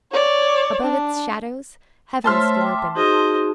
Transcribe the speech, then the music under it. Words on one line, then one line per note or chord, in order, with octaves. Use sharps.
Above its shadows heaven stood open.
C#5 D5
D4
A3 C5 C#5 E5 A5 C6 F6
G5 D6
D#4 F#4 G#4 C5 D#5